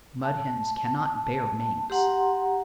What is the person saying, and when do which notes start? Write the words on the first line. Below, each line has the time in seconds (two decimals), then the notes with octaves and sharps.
Mud Hens cannot bear Minks.
0.22 A5
1.90 G4 F#5 A#5 C6